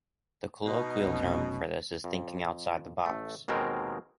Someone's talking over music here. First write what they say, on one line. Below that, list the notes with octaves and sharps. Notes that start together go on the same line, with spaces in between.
The colloquial term for this is thinking outside the box.
B2 D#4
F1 B1 C#4
F2
A1 A3
D#2 B2 D#3 G#3 C4 A#4